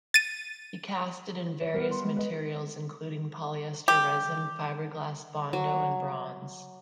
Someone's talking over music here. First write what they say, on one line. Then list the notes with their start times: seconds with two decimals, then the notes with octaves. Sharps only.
He casted in various materials, including polyester resin, fiberglass, Bondo, and bronze.
0.14 A6 D#7
1.61 C#5
1.74 G3 B3 A#4
1.91 C6
2.04 G#3
2.17 B4 D#5
3.88 G4
5.53 F#3